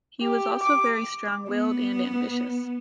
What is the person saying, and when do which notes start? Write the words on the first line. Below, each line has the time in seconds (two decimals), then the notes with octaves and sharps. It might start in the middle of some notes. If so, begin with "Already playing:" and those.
He was also very strong willed and ambitious.
0.22 G4
0.63 D6
1.50 B3